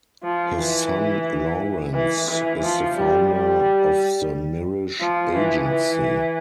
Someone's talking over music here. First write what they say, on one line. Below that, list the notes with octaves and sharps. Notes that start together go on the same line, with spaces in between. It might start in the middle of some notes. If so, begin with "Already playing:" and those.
His son Lawrence is the founder of the Mirisch Agency.
F3
E3
E3
E3
F3
G3
G3
F3
E3
E3